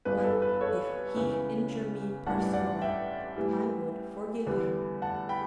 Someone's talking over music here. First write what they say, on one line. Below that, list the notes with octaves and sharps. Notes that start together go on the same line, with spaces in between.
But if he injure me personally, I would forgive him.
G1 G2 E3 B3 D4 B4
B4
A4
B4
A4 C#5
C#2 C#3 E3 B3
A1 G2 E3 G3 D4 F#5 A5
D5 F#5
E5 G5
A2 E3 G3
E2 D3 G3 B3
F#5 A5
G5 B5